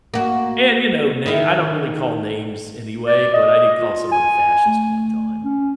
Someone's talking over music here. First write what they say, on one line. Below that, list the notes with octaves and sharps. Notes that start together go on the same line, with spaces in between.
and, you know, na I don't really call names anyway, but I did call someone a fascist one time,
A#3 F#4
D#3 E4
D5
D#5
F4
G#5
A3
C#4